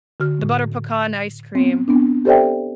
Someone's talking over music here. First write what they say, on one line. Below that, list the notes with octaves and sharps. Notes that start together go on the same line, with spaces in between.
the butter pecan ice cream.
D3 F#4 F6
A2
B3 C4
B3 C4 D4
G4 A4 C5 D5 E5 G5